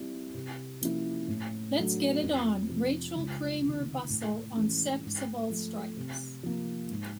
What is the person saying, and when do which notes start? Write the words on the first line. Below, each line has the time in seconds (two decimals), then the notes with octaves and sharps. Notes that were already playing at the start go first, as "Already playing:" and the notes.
Let's Get It On: Rachel Kramer Bussel on sex of all stripes.
Already playing: G3 C4 E4
0.34 C3
0.81 F3 A#3 C#4 E4
1.28 A2
1.75 F#3 A3 D4
2.22 F2
2.69 C3 F3
3.16 C#2
3.62 C3 D#3
4.09 A2
4.56 E3 G#3 C#4
5.03 G#2
5.50 F3 A3
5.97 C3
6.43 F3 A#3
6.90 G#2